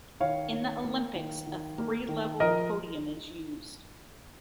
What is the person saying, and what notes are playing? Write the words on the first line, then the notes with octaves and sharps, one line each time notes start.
In the Olympics a three-level podium is used.
D#3 C#5 F5
D#3
A#3
D#3
D#3
A#3
D#3
F3 A#4 D#5